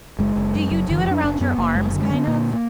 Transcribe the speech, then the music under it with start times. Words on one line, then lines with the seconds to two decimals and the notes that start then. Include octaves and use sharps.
Do you do it around your arms, kind of?
0.19 F#1 G#3
0.36 F#1
0.54 F#2
0.71 F#1 F#3
0.88 F#1 D#3
0.97 F3
1.07 F#2 D4
1.23 F#1 D4
1.40 F#2 B3
1.58 F#1 A#3
1.75 F#2 G#3
1.93 D3
2.01 G#3
2.10 D3 B3
2.27 A#2 A#3
2.53 A#3